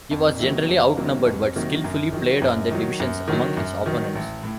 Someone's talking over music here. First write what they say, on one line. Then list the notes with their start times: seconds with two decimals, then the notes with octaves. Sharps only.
He was generally outnumbered, but skillfully played on the divisions among his opponents.
0.11 F2
0.39 C3 D#3 F#3 A#3
0.68 F2
0.97 C3 D#3 F#3 A#3
1.26 F2
1.56 C3 D#3 F#3 A#3
1.84 F#2
2.12 D#3 F#3
2.42 F#2
2.71 D#3 F#3
3.00 F#2
3.28 D#3 F#3
3.57 F#2
3.86 D#3 F#3
4.15 A1
4.44 A2